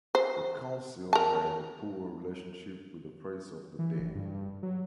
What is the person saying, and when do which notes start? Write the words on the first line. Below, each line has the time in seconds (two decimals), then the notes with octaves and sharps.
The Council had a poor relationship with the press of the day.
0.15 C5
1.13 A#4 A5
3.79 E3
3.99 F#1
4.15 G2
4.63 F#3